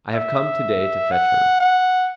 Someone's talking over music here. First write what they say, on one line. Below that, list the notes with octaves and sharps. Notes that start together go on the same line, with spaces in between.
I have come to-day to fetch her.
E5
F#5
F#5